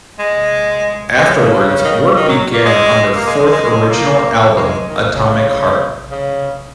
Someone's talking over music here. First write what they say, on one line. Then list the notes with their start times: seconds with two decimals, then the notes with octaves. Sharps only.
Afterwards work began on their fourth original album "Atomic Heart".
0.19 G#3
1.18 G#3
1.30 C#3
1.42 C#3
1.54 C#3
1.67 C#3
1.85 D#3
1.92 C#3
2.16 D#3
2.28 F#3
2.53 A#3
2.65 G#3
3.15 A#3
3.27 G#3
3.39 G#3
3.52 G#3
3.64 G#3
3.89 A#3
4.57 A#3
4.63 G#3
4.87 D#3
5.13 C#3
6.11 C#3